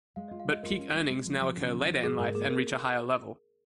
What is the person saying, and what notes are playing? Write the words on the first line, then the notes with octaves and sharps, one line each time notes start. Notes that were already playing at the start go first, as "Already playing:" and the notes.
But peak earnings now occur later in life and reach a higher level.
G#3 F5
D#5
F4
F5
G#3 D#5
F4 A#4
C#4
G#3
G#3
F3
F3
C#3
F3
F3
G#2 G#4
G#2 A#4
A#3 G#4
A#4